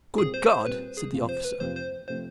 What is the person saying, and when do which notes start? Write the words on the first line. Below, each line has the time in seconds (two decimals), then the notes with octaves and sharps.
"Good God!" said the officer.
0.18 A#2 G3 C4 G#4
0.34 C5
0.50 C5
0.66 A#2 G3 C4 B4
0.97 G#4
1.12 F2 C3 F3
1.29 C5
1.44 B4
1.60 F2 C3 F3 C5
1.76 C5
2.08 C3 F3 A3 C4 C5